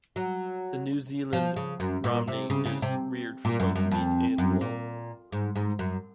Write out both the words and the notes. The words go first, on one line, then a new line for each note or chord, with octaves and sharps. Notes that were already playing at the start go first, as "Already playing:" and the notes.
The New Zealand Romney is reared for both meat and wool.
F#3
F3
C#3
F#2
A#2
C3
C#3
C#3
C3
A#2
F#2
F#2
F2
F#2
A#2
G#2
G#2
F#2